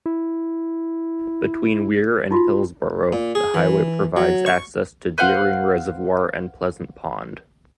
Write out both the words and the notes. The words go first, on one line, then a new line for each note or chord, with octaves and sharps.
Between Weare and Hillsborough, the highway provides access to Deering Reservoir and Pleasant Pond.
E4
D#4 F4 F#4
A#2
G#4
E3
F#3
C#6
B4 C5 F5 F#5